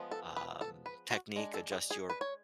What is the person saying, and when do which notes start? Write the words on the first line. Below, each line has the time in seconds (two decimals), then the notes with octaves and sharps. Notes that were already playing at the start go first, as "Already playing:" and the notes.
um, technique, adjust your m m
Already playing: F3 G#3 B3
0.11 A4
0.37 B4
0.61 A4
0.86 B4
1.11 F#4
1.36 G#3 D4
1.54 A4
1.72 G#4
1.91 G#4
2.10 B4
2.21 C#5